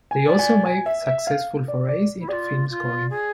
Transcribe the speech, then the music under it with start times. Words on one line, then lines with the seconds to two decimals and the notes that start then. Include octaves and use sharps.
They also made successful forays into film scoring.
0.11 G#5
0.26 D5
0.39 G#5
0.66 G#5
0.86 E5
1.07 E5
1.27 F5
1.68 D5
1.88 D5
2.19 E4
2.28 F4 G#4 D5
2.70 F4
3.10 G#4